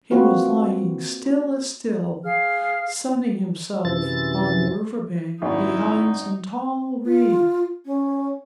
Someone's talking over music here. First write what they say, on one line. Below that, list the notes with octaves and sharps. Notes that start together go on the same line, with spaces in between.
He was lying still as still, sunning himself on the river bank behind some tall reeds.
A#3 C4 F4 F#4 B4
G#4 F5 F6
F#2 C3 E3 A6
G#1 F#2 D#4 E4
F4
C#4